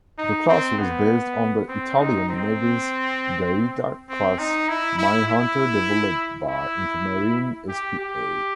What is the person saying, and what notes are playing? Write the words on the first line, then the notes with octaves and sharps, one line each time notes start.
The class was based on the Italian Navy's "Gaeta"-class minehunter developed by Intermarine SpA.
D#4
C4
B3
C4
D#4
C4
C4
D#4
E4
E4
E4
E4
G4
G4